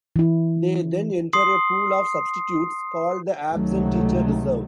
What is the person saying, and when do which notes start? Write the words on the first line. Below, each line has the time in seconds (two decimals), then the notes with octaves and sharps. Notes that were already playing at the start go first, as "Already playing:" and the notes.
They then enter a pool of substitutes, called the Absent Teacher Reserve.
0.16 E3 E4
1.33 C6 D#6 C7
3.53 C#2 C3 D#3 F#3 A3